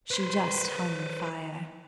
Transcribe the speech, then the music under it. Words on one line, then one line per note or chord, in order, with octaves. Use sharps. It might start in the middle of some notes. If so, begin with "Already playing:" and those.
She just hung fire.
B4 C5